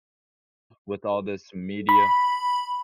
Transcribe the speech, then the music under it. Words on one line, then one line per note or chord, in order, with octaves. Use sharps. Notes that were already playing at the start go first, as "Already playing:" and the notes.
with all this media.
B5